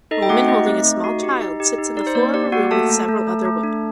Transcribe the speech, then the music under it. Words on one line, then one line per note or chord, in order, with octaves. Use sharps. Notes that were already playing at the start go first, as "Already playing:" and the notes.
A woman holding a small child sits in the floor of a room with several other women.
D#4 A4 D#5
G5
A3 F#4 F#5
A3 D#4 D#5
C4
A3
F#4
G4
D#4
G4
D#4
D#4 D5
C5
A#3 D5
G4 D5
A#3 F#4 F#5
A3 A4 A5
A3
A3
A3
A3
D4